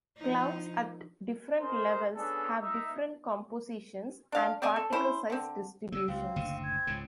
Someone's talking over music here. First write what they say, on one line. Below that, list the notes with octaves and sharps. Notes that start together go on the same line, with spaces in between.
Clouds at different levels have different compositions and particle size distributions.
F3 D#4
D#4 G#4 A#4 C5
B3 C#4 D4 G#4 A4
D#4 E5
D4 F5
C4 D5 D#5 G#5
A4
C#4 E4 C5
D3 C4
C#3 F#3 A3 E6
C#2 C4 F5
F#1 D2 C3
G#6
C#2 G#2 C#3